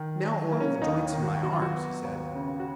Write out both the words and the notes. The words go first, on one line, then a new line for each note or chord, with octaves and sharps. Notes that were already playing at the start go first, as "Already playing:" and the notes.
"Now oil the joints in my arms," he said.
Already playing: D#3
F#3
A#3
C#4
C#4
D#2 D#4
D#3
F#4
F#3 F#4
F4
F#4
B3
D#2
C#3
F#4